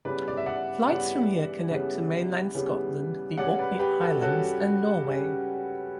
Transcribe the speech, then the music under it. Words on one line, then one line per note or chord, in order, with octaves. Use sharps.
Flights from here connect to mainland Scotland, the Orkney Islands and Norway.
C#3 E3 G3 B3 B4 D5
D5
E5
D5 F#5
C#3 E3 G3 B3 D5 F#5
C#3 E3 G3 B3
C#3 E3 G3 B3
C#3 G3 C#4 D5 F#5
B4 D5
G4 B4
F#4 A4
C#3 G3 C#4 F#4 A4
C#3 G3 C#4